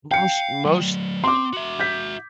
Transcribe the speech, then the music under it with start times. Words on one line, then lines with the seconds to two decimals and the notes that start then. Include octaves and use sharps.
Most most
0.11 F5 G5 C#7
0.65 F#3 A3
1.24 C4 C6 D6
1.53 F#4 E5
1.80 G6 B6